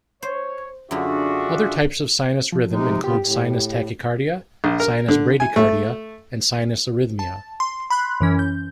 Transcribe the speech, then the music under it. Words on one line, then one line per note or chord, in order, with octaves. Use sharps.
Other types of sinus rhythm include sinus tachycardia, sinus bradycardia and sinus arrhythmia.
C5 C#5
F#2 D3 D4 F4 F#4 G#4 E5
F3
C3 G#3 D#4
C#3 B3 F4 G4
A2
A#1
A#4
D3
G#5
A3
A5
C6
B5 C6 F#6
F#2 E3 C#4
G6